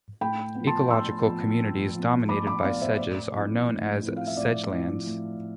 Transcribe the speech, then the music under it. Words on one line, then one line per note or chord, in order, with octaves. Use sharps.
Ecological communities dominated by sedges are known as sedgelands.
A2 G5 B5
F3 B3
A5 C6
A2 C6 E6
F3 B3
A2
F3 B3
A2 B5 D6
B5 D6
F3 B3 D5 F5
C5 E5
A2 D5
F3 C4 E4
A2
F3 C4 E4
F5
E5
A2 D5
F3 C4 E4
A2